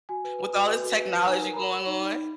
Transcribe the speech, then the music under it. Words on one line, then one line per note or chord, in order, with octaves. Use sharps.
with all this technology going on.
F#4 G#5
B4
B4
F#4
B4
F#4
B4
B4
D#4 G#5
A#4
A#5
A#4 B5
C#5
D#4
D#4
D#4